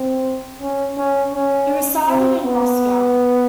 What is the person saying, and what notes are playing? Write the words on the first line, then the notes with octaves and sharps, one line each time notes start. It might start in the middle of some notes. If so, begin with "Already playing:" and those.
He resided in Moscow.
Already playing: C4
C#4
C#4
C#4
C4
B3